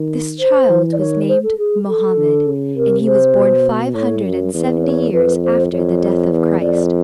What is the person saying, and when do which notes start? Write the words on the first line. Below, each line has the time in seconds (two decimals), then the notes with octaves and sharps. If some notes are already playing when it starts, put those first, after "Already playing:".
This child was named Mohammed, and he was born five hundred and seventy years after the death of Christ.
Already playing: D#3
0.39 C5
0.69 E3
0.93 D5
0.99 D#3 C#5
1.28 C5
1.43 A4
1.58 G#4
1.87 A4
2.17 D3
2.47 C#3
2.76 C3 A#4
3.05 C5
3.35 B2
3.94 A2 C#5
4.24 F#2
4.54 E2
4.84 C#5
5.13 F2 B4
5.43 C5
5.72 F2 C#5
6.31 E2
6.61 F2 D5